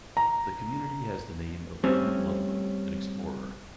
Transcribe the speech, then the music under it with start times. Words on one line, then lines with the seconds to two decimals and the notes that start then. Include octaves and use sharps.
The community has the name of William Ludlow, an explorer.
0.17 A#5
1.84 G3 A3 C4 C#4